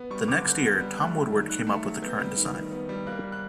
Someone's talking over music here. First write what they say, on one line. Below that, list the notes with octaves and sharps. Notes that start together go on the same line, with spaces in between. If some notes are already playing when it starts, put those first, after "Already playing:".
The next year, Tom Woodward came up with the current design.
Already playing: B3
G3 C#6
D3 D6
D3 G6
B3
G3
A3 F#6
F#3
D#3
D#3 F#6
A3
F#3
B3 G6
G3
D#3
D#3
B3
G3
A#3 F#6
G3
F#6